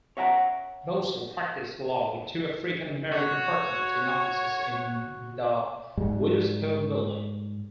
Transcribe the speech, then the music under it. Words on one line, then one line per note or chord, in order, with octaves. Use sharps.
Mossell practiced law with two African-American partners in offices in the Witherspoon Building.
C#5 E5 F#5 G5 A#5
F#4 C#5
G#2 G3 G#3